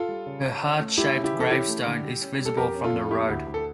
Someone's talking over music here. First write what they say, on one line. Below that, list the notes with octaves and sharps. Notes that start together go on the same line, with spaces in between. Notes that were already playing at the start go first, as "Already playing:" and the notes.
Her heart-shaped gravestone is visible from the road.
Already playing: F4 A4
G3
C#3
C#4
C#4
A3
G3 E4 G4
C#3
E4 G4
E3
A4
C#4 E4 G4
A3
D3
G3
C#4
G3
A4
F2 G4 A#4
C#4
F4 A4
F2
A#3 E4 G4
D2
D2
A4